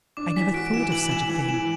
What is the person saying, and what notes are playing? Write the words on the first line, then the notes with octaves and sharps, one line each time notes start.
'I never thought of such a thing.'
D4 D6
E3 B6
F#4 D7
D7
E3 E7
E3 F#7
E3 E7
E3 F#7
E3 E7